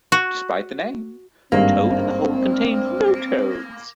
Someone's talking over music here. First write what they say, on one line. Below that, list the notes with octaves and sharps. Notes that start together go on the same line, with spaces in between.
Despite the name, toad in the hole contains no toads.
F#4
G#1 G2 A#3 C4